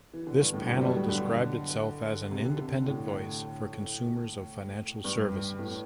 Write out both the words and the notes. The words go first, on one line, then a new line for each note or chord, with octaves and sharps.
This panel described itself as "An Independent Voice for Consumers of Financial Services".
E3
D3
G2
A2
B2
F#3
G3
D3
C3
D3
C3
A2
G2
A2